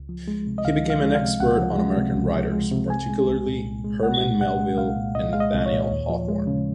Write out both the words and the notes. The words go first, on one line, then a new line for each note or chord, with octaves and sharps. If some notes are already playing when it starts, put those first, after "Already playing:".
He became an expert on American writers, particularly Herman Melville and Nathaniel Hawthorne.
Already playing: C#2
F3
G#3
C3
D#5
C#2 F5
F3
F5
G#3
F5
C3
C#2 F#5
F3
G#3
C3
C#2
F3
G#3
C3
C2 G#5
G#3
C2
A#2
C2
G#3
C2 F#5
A#2
C2 F#5
G#3
C2 F5
A#2
C2 D#5
G#3 F5
D#5
C2
C#5
A#2
D#2
F3
G#3
C#3